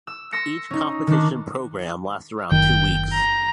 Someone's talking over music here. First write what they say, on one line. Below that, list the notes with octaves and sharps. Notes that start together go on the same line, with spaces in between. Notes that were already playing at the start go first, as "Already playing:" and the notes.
Each competition programme lasts around two weeks.
E6
C6 E6 A#6 C#7
C#4 D#4
D#3 D4
F#1 D#3 G5
A#5